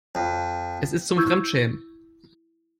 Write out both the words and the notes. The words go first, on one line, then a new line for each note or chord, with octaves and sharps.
Es ist zum Fremdschämen.
F2
E4 C#6 E6 G6 G#6